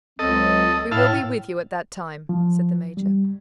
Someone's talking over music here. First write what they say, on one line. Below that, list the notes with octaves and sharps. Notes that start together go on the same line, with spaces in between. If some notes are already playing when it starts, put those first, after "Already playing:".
"We will be with you at that time," said the major.
C#2 F#3 C4 A4 D#5
A2 E4 F5 A5
F3
G3